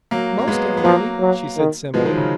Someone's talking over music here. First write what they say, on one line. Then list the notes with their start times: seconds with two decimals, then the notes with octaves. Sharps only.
"Most everybody," she said simply.
0.11 F#3 A#3
0.39 A#3
0.48 G#3 B3
0.77 B3
0.84 F3 F#3 A#3
1.20 F#3
1.57 D#3
1.93 B2 F3 G#3
2.05 D#3 F#3
2.17 C#3